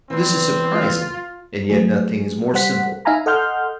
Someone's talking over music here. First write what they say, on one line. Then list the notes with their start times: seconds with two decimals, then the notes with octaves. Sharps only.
This is surprising, and yet nothing is more simple.
0.10 E2 E3 C4
0.72 F4
1.69 F#3 A3 G#4
2.54 G3 C5 F#5 B6
3.05 D#4 E5 F5 G#5 A#5 B5
3.26 A4 D#5 F#5 C6 F6 G6